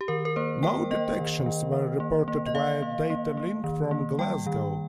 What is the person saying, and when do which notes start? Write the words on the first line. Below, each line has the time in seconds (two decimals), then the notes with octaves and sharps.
No detections were reported via data link from "Glasgow".
0.01 G4
0.08 D#3 A#4
0.25 A#4
0.36 A#3 C5
0.63 A#3 G5
0.91 A#3 D#5
1.19 D#3
1.46 D#3
1.73 D#3
2.00 A#3
2.28 A#3
2.46 D#5
2.55 A#3 F5
2.82 A#3
3.10 A#3
3.37 A#3
3.64 D#3
3.91 A#3
4.19 G3 G5
4.46 D#3